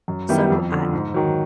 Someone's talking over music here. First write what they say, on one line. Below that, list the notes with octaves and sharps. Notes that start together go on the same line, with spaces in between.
so I
F#2
D#3 G3 B3 E4
F2
D3
F3
G#2
D#3 F#3